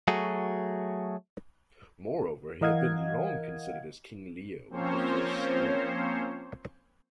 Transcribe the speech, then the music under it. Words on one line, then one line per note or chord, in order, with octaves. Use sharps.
Moreover, he had long been considered as King Leo the First's heir.
F#3 A3 F#4 G#4
E3 A#4 D#5 F5 F#5 G#6
F3 A#3 C4 C#4 C5 C#5